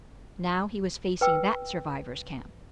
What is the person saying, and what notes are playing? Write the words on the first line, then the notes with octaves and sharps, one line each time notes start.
Now he was facing that survivor's camp.
B4 G5 E6